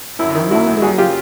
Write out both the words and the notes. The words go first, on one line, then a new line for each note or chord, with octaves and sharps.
I wonder.
F#2 E4
D#3
F#2 E4 F#4
F#2
A#3 F#4 G#4
C#3 F4 G4